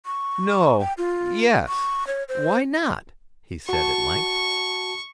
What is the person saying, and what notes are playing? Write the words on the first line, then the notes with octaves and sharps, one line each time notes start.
"No--yes--why not?" he said, at length.
C#6
G5
F4
C#6
C#5
C5
F#4 A5 C#6